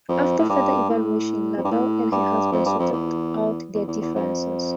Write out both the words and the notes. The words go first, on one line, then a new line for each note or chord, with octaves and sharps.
After further evaluation, LaBelle and her husband sorted out their differences.
F2
A2
G2
A2
F2
G2
A2
G2
F2
G2
F2
E2
E2
E2
E2
F2